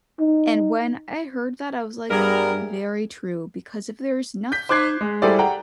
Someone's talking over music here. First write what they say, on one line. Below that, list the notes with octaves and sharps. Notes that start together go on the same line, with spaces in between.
And when I heard that, I was like, "Very true." Because if there's nothing
D#4
G2 G3 B3 G#4 A#4 E5
G6 B6
C5 D6 F#6 G#6 C7
G#3
G3 E4 G#4 A4 C5 D5
F#5 G5 A#5